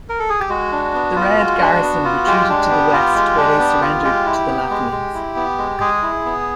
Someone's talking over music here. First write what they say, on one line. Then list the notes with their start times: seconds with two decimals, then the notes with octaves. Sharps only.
The Red garrison retreated to the west where they surrendered to the Latvians.
0.09 A#4
0.19 A4
0.29 G#4
0.40 G4
0.50 G#3 F#4
0.72 D4
0.94 B3
1.16 F4
1.38 G#3
1.60 D4
1.82 B3
2.04 F4
2.27 G#3 G4
2.49 D4
2.71 B3
2.93 F4
3.15 G#3
3.37 D4
3.59 B3
3.82 F4
4.03 G#3 G4
4.26 E4
4.48 B3
4.70 G#3
4.92 G#3
5.14 E4
5.36 B3
5.58 G#3
5.80 G#3 G#4
6.02 E4
6.25 B3